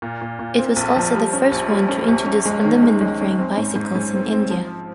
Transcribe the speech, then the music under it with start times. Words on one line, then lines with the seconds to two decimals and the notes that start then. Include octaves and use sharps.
It was also the first one to introduce aluminum frame bicycles in India.
0.02 A#2
0.21 A#2
0.39 A#2
0.58 C4
0.76 A#1
0.96 F3
1.15 G3
1.33 C#4
1.52 A#1
1.70 G3
1.88 C#4
2.08 A#1
2.26 C#4
2.45 G#3
2.65 D#3
2.83 G#3
3.01 G#3
3.21 C#4
3.38 C4
3.58 G#2
3.76 G#2
3.95 G#2
4.14 C4
4.32 C4
4.51 F3